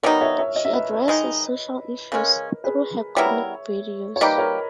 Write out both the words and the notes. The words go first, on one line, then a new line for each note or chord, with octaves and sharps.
She addresses social issues through her comic videos.
B2 G3 B3 D#4 A#4 C#5
C#5 E5
C#5 E5
D#5
E5
B4 D#5
D#3 G#3 D#4
C#3 G#3 C#4 A#4
G#4 B4
G3 B3 E4 A#4 C#5 E5
C#5
G3 A#3 D#4 G4 B4 D#5
A#4 C#5